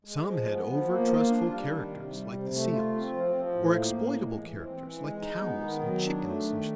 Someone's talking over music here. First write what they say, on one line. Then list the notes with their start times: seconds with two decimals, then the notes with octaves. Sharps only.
Some had over-trustful characters, like the seals; or exploitable characters, like cows, and chickens, and sheep.
0.05 G#3
0.25 F3
0.46 B3
0.67 F3
0.87 A#3
1.08 F4
1.28 D4
1.49 G3
1.70 D#3
1.90 C3
2.11 G3
2.32 C3
2.52 A3
2.73 F4
2.94 C4
3.14 F3
3.34 F3
3.55 A2
3.76 A#3
3.96 A2
4.18 G#3
4.37 E3
4.59 C4
4.79 E3
5.00 G#3
5.20 D#4
5.41 B3
5.61 D#3
5.82 F#3
6.03 D4
6.24 A3
6.44 D#3